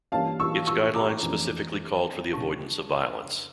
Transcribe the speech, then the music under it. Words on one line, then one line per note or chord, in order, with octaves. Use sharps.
Its guidelines specifically called for the avoidance of violence.
G2 E3 A#3 C#4 F5 A5
C#6 E6
C#6 E6
A#5 D6
F2 E3 A3 D4
C#3 G3 D4 F4 A5 C#6